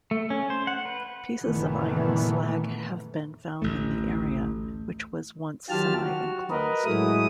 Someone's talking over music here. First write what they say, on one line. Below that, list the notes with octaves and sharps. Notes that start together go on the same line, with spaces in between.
Pieces of iron slag have been found in the area, which was once semi-enclosed.
A3
C#4
C5
F#5
B4
F#1 A#2 D#3 E3 A3 B3
A1 D2 A3
D#3 F#3 F4 G4 A5 F6
F#4
A#4 B4 D#5
A2 F#3 G#3 A3 E4 D#6